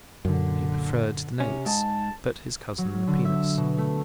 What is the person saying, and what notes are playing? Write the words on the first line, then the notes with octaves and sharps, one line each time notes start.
He preferred the nates, but his cousin the penis.
F#2 A#2 D3
C3 C#4
G#2 A5
F#3
D3
E5
B2
A3